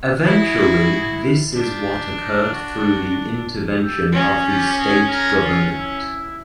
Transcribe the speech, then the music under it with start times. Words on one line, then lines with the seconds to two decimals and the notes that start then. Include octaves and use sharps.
Eventually this is what occurred through the intervention of the State Government.
0.24 E4 F#4 G#4
1.54 D4 F4 G4
2.19 D#4
2.51 F#4
3.80 G4 A4
4.13 C#4 F#4 G#4
4.45 F4 G4
4.77 F#4 G#4
5.09 G#4 A#4
5.43 F4
5.74 E4